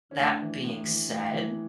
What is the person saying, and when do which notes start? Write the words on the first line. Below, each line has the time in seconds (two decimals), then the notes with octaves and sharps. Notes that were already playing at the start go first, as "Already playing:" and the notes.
That being said,
0.11 C#4
0.20 A2 D4
0.42 E3
0.64 A2
0.87 E3
1.09 A2
1.32 E3